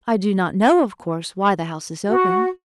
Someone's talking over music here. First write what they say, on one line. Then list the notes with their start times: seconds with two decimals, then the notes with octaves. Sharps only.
I do not know, of course, why the house is open.
2.09 F#4